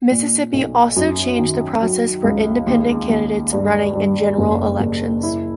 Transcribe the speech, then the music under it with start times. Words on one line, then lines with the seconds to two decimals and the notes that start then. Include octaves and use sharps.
Mississippi also changed the process for independent candidates running in general elections.
0.11 A#2
0.53 B1
0.96 F#2
1.39 D#3
1.82 F#3
2.24 C#2
2.67 D#2
3.09 D#2
3.53 G2
3.95 G2
4.38 F#1
4.80 F#1
5.23 E4